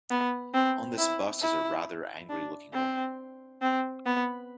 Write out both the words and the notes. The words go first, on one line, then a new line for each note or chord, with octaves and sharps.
On this bus is a rather angry looking woman.
B3
C4
E4
E4
D4
C4
C4
B3